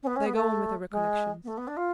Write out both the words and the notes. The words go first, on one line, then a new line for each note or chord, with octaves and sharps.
They go on with their recollections.
C#4
B3
C#4
B3
A3
G#3
B3
A3
B3
D4
F4